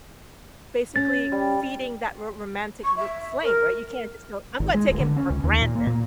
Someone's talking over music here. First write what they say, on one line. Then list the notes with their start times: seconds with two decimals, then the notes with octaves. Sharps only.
basically, feeding that ro romantic r flame, right? You can't just go, "I'm gonna take him for granted,"
0.96 C#4 A6
1.32 G3
2.83 C#6
2.96 E5
3.43 A#4
4.60 G#1
4.74 G#3
4.88 D1
5.00 D3
5.16 C#4
5.30 C#2
5.44 D#2
5.61 A#2
5.75 A#3
5.87 A#2